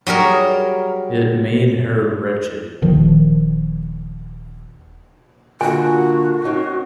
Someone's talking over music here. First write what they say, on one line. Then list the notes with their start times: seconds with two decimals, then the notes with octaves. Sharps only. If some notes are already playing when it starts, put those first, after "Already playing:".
It made her wretched.
0.07 F#3 G3 G#4 A#4
2.82 D#1 D#3 F3
5.61 A#2 D3 F#4 G#5
6.44 C4 C#4 D#4